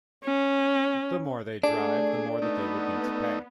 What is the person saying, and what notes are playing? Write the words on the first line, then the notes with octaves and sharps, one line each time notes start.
The more they drive, the more that they would need to pay.
C#4
A3 D4 G#4 D5
A3 B3 D#4